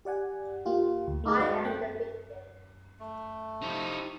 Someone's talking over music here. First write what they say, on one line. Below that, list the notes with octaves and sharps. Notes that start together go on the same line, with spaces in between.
I am the victim!
G4 D5 F#5 G#5
A#3 F4 G4
D2
A3 D#4 G#4
G#3 F#4 D5 D#5 F5
A#3 C4 G5 F#6
A3
C3 F3 D#4 E4 C#6